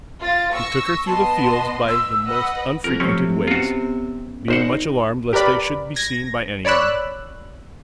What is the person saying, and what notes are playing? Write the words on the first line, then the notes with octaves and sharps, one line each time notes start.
He took her through the fields by the most unfrequented ways, being much alarmed lest they should be seen by anyone.
F4 A6
C#6 E6 A#6
B3 D#5 A5 C6
E6
B4 D#5 F#5
F2 A#4
C3 F3 F#3 A3 C4 C#4
B3 C#4 F4 F#4
G#1 D#4 C5 F#5
G4 A#4 B4 D5 B5
G#6 A#6
C#5 D5 B5 E6 F#6